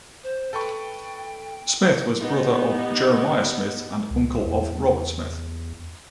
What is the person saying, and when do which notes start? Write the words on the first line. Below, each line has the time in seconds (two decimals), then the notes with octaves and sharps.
Smith was brother of Jeremiah Smith and uncle of Robert Smith.
0.24 C5
0.53 A4 B4 G5 C#6
2.20 B3 D#4 G4
4.11 C#2
4.45 E2